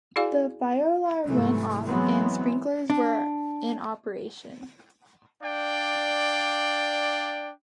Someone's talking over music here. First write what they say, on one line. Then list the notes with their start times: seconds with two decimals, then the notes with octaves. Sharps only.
The fire alarm went off and sprinklers were in operation.
0.16 E4 F#4 G#4 D5 F5 G#5
1.25 G#2 C3 E3 F#3 A3
1.85 E3 F#3 G#3 B3 C4
2.90 D4
5.43 D4 D5 F5 G5